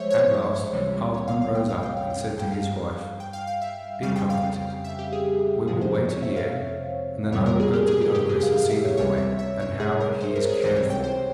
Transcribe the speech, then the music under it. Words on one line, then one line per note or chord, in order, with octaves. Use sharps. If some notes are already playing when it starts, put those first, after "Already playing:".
At last Halfman rose up and said to his wife, 'Be comforted; we will wait a year, and then I will go to the ogress and see the boy, and how he is cared for.'
Already playing: C#2 F3 G#3 C5 C#5 E5
C#5
C#2 C3 E3 G3
C#5
F5
F5
G5
F5
G5
F5
G5
F5
G2 G3 G5
F5
G5
F5
F5
E5
F2 C#3 G3 F5
G5
F5
E5
G4
G#4
F2 C3 F3 G#3 G#4
C5
C5
C#5
E5
F5
F2 C3 E3 G3 C#5
A#4
G#4
G4
G#4
G4
G4
G#4
F5
F5
E5
C#5
C#2 C3 G3 C#5
E5
E5
C#5
G#4
A#4
C5
A#4
G#4
C#2 C3 E3 G3 C5
C#5
G5
C5